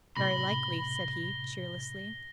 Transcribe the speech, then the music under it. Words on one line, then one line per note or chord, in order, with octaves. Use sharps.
"Very likely," said he cheerlessly.
A2 C3 B5 A#6 G7